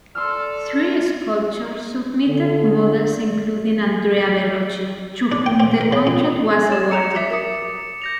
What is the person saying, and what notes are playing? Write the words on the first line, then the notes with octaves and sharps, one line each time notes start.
Three sculptors submitted models including Andrea Verrocchio to whom the contract was awarded.
A4 D5 C6 E6 F6
D3
D4
G5
C4
A#4
C#3
F2
C#5 G#6 A6 E7
C#5 A#5 C#7 F7
E5 D6 B6 C#7
A#4 D6 D#6 C#7
G6 A#6 F7